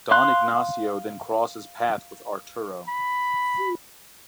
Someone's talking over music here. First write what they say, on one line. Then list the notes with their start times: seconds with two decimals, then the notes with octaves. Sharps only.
Don Ignacio then crosses path with Arturo.
0.11 F5 C6 F#6
2.88 B5